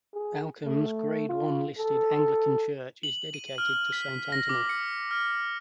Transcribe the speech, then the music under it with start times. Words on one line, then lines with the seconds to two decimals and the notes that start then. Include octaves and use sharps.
Alkham's Grade One listed Anglican church is dedicated to Saint Anthony.
0.14 G#4
0.65 A3
1.29 F4
1.77 A4
3.03 F#7
3.34 D#7
3.58 F6
3.92 B6
4.32 A#6
4.49 D6
4.69 C#7
5.11 F6